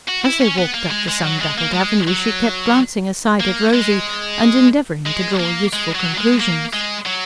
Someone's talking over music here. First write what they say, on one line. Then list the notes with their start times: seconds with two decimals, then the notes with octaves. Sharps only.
As they walked up the sun-dappled avenue she kept glancing aside at Rosy, and endeavouring to draw useful conclusions.
0.08 F#4
0.25 E4
0.41 C#4
0.58 B3
0.74 A#3
0.91 G#3
1.08 G#3
1.24 F#3
1.41 G#3
1.58 A#3
1.74 G#3
2.08 F#3
3.40 A#3
3.73 G#3
5.07 G#3
5.40 A#3
5.73 G#3
5.95 F#3
6.17 G#3
6.40 A#3
6.73 G#3
7.06 F#3